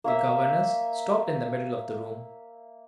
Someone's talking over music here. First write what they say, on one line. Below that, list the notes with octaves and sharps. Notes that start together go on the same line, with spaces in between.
The governess stopped in the middle of the room.
A#3 C#5 E5